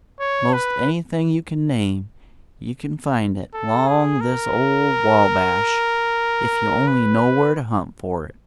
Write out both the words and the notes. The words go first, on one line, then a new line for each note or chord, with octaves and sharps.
Most anything you can name, you can find it 'long this ole Wabash, if you only know where to hunt for it.
C#5
B4
A4
G#4
A#4
B4